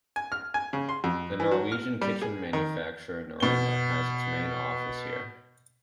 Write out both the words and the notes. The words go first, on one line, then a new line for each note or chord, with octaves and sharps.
The Norwegian kitchen manufacturer Norema has its main office here.
G#5
F6
G#5
C#3
C6
F2
E3
F#3
F6
G3
G#4
D#3
B2 G7